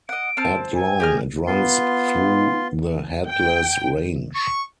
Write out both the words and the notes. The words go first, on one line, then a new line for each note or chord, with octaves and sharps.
At long, it runs through the Headless Range.
D#5 F#5 D7
C4 A5 F6
G#5
G4 G#4 D#5 F6
B3 F4 C6
G5
C#6